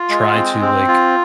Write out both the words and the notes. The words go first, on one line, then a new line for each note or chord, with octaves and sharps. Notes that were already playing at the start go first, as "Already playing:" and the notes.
try to, like,
Already playing: F4
G#3
C4
C4
F4